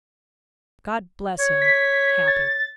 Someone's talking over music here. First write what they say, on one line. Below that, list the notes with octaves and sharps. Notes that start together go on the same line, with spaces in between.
God bless him!--happy.
C#5
B6
A6